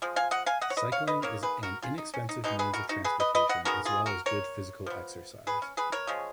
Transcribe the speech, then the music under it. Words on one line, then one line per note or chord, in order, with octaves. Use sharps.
Cycling is an inexpensive means of transportation as well as good physical exercise.
F3 G#3
F5 G#5
D#5 F#5
F5 G#5
D#5 F#5
C#5
B4 D#5
C#5 F5
B4 D#5
D#3 A#3 A#4 C#5
G#4 B4
F#4 A#4
F4 G#4
D#4
C#4
D#4
B2 G#3 B3 D#4
G#4 B4
F#4 A#4
D#4 F#4
G#4 B4
B4 D#5
B4 D#5
D#5 F#5
D#3 G#3 B3 F#4 A#4
F4 G#4
F#4 A#4
A#4 C#5
F3 B3
G#4 B4
C#4
G#4 B4
A#4 C#5
C#3 F3 G#3